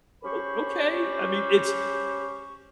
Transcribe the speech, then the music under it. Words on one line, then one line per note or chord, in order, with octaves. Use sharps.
o okay, I mean, it's,
C#4 G4 C5 B5 C#6